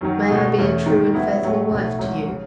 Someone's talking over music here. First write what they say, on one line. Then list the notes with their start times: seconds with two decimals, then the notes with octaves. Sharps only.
"May I be a true and faithful wife to you."
0.01 F#2 D#3 F#3
0.29 C#2 B2 A3
0.58 E2 C#3 E3 A3
0.86 G#2 D#3 A3
1.14 C#2 C#3 F#3 B3 E4
1.43 A2 F#3 A3
1.71 B1 B2 A3 E4
1.99 G#1 G#2 F#3
2.28 C#3